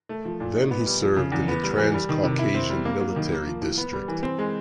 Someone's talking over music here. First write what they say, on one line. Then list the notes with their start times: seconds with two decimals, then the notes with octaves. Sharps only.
Then he served in the Transcaucasian Military District.
0.09 A3
0.25 F3
0.40 A#2
0.55 D#4
0.71 B3
0.86 G3
1.02 F3
1.16 C#3
1.32 E2
1.48 B3
1.63 G3
1.78 E3
1.94 G3
2.09 D#3
2.24 C3
2.39 E4
2.55 C4
2.70 G3
2.85 A#3
3.00 F#3
3.16 D#3
3.32 A#3
3.47 F3
3.62 A2
3.78 B3
3.93 G3
4.08 E3
4.23 C4
4.39 G#3